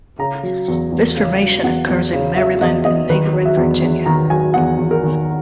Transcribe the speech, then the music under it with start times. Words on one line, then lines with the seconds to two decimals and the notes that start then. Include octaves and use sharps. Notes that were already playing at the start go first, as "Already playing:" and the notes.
This formation occurs in Maryland and neighboring Virginia.
0.19 C#3 A#5
0.43 F#3
0.68 E2
0.92 E2
1.16 C#3
1.40 F#3
1.64 E2 F#5
1.88 E2
2.13 C#3
2.36 F#3 E5
2.61 E2 D#5
2.85 E2 D#5
3.10 D#3 B4
3.33 F#3
3.45 E5
3.57 E2
3.82 E2
4.06 D#3 A#5
4.30 F#3 G#5
4.54 E2 F#5
4.79 E2
4.91 A#4
5.03 D#3